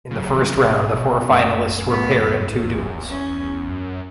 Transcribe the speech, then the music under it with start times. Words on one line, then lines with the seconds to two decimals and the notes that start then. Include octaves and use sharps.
In the first round the four finalists were paired in two duels.
0.11 C#3 F#3
0.34 E3
0.41 C#3
0.71 B2
1.30 F#2 A3
1.90 A2 B3
2.20 F#2
2.40 F#2
2.50 A2
2.65 E2
2.79 F#2
2.95 E2
3.09 C#4
3.69 F#2